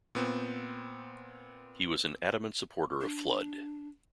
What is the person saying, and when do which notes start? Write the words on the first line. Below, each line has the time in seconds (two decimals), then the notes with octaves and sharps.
He was an adamant supporter of Flood.
0.15 A#2 B3 C4
3.01 D4